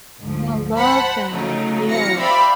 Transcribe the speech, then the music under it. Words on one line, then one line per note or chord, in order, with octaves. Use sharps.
I love that. Yes.
D2 G#2 F3
C5 F#5 A5 B5
C#3 F#3 A3 D#4
C3 E3 F#3 F5 A#6 C#7
C5 D5 E5 F5 G5 B5